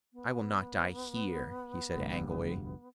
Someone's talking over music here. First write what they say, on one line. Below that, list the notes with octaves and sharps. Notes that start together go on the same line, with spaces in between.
"I will not die HERE," he said angrily.
B3
F1 D2 G2